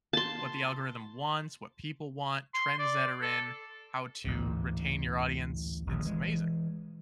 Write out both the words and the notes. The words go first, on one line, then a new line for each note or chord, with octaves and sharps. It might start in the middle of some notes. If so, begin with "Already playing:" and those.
What the algorithm wants, what people want, trends that are in, how to retain your audience, it's amazing.
A5 C6
C6
D5
A4
A1 D2 G#2
D#1 A#1 D#2
E3 G#3